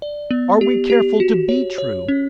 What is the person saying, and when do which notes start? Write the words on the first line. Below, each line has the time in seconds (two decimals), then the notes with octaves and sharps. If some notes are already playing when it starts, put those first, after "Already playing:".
Are we careful to be true?
0.02 D5
0.31 B3
0.61 G4
0.90 G4
1.20 F#4
1.49 C#5
1.78 C#5
2.08 C#4